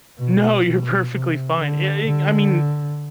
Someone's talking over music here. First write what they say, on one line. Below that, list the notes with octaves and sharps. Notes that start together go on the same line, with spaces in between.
No, you're perfectly fine. Yea yea i I mean,
B2
B2
C3
D3
D3